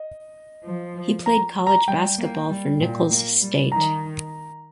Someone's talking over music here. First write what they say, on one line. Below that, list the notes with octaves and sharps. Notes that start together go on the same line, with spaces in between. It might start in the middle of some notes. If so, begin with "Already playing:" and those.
He played college basketball for Nicholls State.
Already playing: D#5
F3
A#5
A#5
G3 G5
A#3
G3
A#2
A#3
G3
D#3 A#5